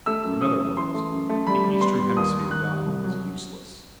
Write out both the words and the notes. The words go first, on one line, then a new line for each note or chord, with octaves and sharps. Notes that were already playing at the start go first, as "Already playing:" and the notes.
In other words, the eastern hemisphere dial was useless.
A3 E6
F#2
E3 D#6
F#2
E3 C6
A3
F#2
A3
G3 B5
G3
B3 C6
G3
D#2 D#6
G3
D#3 F#6
G3
C2
F#3